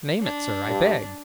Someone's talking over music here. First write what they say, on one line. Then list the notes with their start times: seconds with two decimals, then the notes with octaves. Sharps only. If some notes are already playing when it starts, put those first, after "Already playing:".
"Name it, sir, I beg."
0.22 D4
0.67 G2